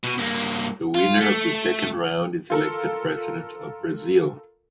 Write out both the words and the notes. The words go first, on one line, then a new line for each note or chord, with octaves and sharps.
The winner of the second round is elected President of Brazil.
B2
G2 A#3
F4
A3
F4 A4 A#4